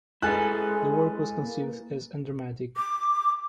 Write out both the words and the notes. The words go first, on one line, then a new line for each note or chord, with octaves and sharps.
The work was conceived as undramatic.
G#3 E4 A4 B4 G#5 F#6
A#3
D6